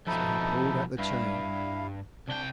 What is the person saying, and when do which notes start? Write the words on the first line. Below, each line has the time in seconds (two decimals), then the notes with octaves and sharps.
So he pulled at the chain.
0.07 F2 B2 D#4 E4 A4
0.99 G2 E4 F5
2.28 C2 D4 G5